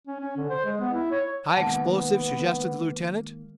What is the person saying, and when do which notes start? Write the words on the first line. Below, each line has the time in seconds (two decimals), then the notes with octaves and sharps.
"High explosive?" suggested the lieutenant.
0.07 C#4
0.20 C#4
0.37 D3
0.50 C5
0.65 G#3
0.80 B3
0.93 E4
1.12 C#5
1.57 D#3 G#3 A#3 B3 F#5 A5